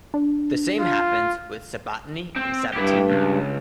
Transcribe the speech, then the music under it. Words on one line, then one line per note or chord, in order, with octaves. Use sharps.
The same happens with Sabattini and Sabatini.
D4
F4
C4
G2 E4 G4
C#2